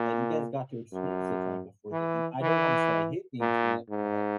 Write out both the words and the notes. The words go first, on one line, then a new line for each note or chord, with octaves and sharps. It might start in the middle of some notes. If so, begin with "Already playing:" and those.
that you guys got to experience the time before the in I don't wanna say I hate the internet, but
Already playing: A#2
F#2
E3
E3
A#2
G#2